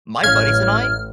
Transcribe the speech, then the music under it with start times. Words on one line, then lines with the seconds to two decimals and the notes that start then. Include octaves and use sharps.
My buddies and I,
0.24 A1 F#2 C#4 F5 F6 G#6